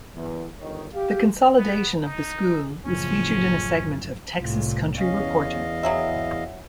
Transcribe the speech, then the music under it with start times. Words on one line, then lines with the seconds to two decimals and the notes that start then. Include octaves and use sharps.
The consolidation of the school was featured in a segment of "Texas Country Reporter".
0.15 E2
0.60 G1 D#3 C#5 D#5
0.94 G4 F5
1.57 B3
2.01 D#4
2.85 F#1 A2 F3 C#4
4.38 C2 A2 F4
4.98 E2 C#4 D#5 F5
5.83 F#3 E4 G#4 E5